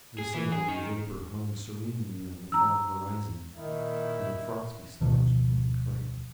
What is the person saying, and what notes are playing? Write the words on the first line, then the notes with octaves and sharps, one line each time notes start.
The silvery vapour hung serenely on the far horizon, and the frosty stars blinked brightly.
G#4
E3
G#4
D#3
A#5 E6
A#2 D#3 E4
D1 B2 D#3 F3